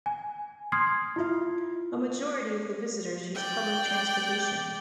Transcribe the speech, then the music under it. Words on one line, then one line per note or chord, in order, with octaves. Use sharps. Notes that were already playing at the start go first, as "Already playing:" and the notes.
A majority of the visitors use public transportation.
G#5
C6 D#6 F6 G#6 C7
E4 F4 E5
D5 G5